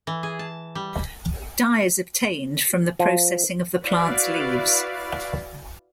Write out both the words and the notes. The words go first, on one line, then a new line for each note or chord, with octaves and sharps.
Dye is obtained from the processing of the plant's leaves.
E3
G#4
A5
G3
F3
E4 F#4 B4 D5 F5